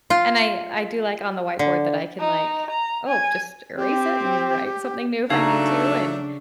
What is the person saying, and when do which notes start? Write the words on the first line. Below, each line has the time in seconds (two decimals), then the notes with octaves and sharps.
and I I do like on the whiteboard that I can, like, oh, just erase it and write something new if I need to, and,
0.10 F4
1.59 D3
2.19 D#4
2.70 A#5
3.07 G#5
3.77 C4 G4
5.30 C#3 F#3 A3 D4 D#4 F5 A#5 C7